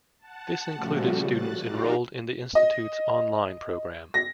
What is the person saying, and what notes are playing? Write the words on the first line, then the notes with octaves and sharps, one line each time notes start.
This included students enrolled in the institute's online program.
F#5 A5
A#2 C#3 F3 G3 A3 F#4
F#6 A6
D#4 F#4 G4 D5 F5 A#5
D#5
A#6